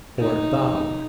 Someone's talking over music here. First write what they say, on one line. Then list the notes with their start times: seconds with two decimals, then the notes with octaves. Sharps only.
Fort bowed.
0.17 D#4